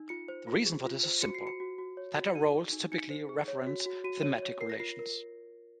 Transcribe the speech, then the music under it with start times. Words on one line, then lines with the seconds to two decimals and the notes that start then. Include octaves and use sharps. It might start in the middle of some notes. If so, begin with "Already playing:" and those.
The reason for this is simple: theta roles typically reference thematic relations.
Already playing: D#4
0.09 F4 C#7
0.28 C5
0.47 F4
0.66 G#4
0.85 F4
1.03 C5
1.22 F#4 C#7
1.34 C7
1.41 F#4
1.47 C#7
1.60 F#4
1.78 F#4
1.97 C#5
2.16 F#4
2.24 C#7
2.35 D#4 D#7
2.54 G#4
2.72 D#4
2.92 D#4 C#7
3.10 C5
3.29 G#4
3.48 C#5
3.67 F#4
3.86 F#4
4.04 F#4 D#7
4.23 C#5 D#7
4.42 C#5
4.60 A#4 C7
4.70 A#6
4.80 F4 C7
4.99 A#4